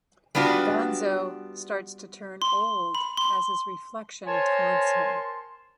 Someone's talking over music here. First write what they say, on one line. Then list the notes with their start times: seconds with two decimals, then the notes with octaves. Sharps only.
Gonzo starts to turn old as his reflection taunts him.
0.35 G3 B3 D4 F4 F#4
2.42 C6
2.95 B5
3.17 C6
4.26 A#4 C5 C#5 G#5 A5 C6